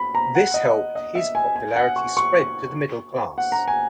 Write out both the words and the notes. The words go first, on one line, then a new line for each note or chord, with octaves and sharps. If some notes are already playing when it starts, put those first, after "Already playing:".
This helped his popularity spread to the middle class.
Already playing: B5
A#5
F#5
D#5
D#5
E5
G#5
G#5
F#5
C#6
C#6
F#5
A#5
G#5